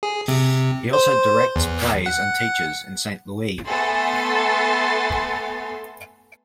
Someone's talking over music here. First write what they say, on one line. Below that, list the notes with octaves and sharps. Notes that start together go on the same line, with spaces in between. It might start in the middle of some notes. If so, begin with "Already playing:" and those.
He also directs plays and teaches in Saint Louis.
G#4
C3
C5
E2
F#5
A3 B3 A4 G#5 C6 A6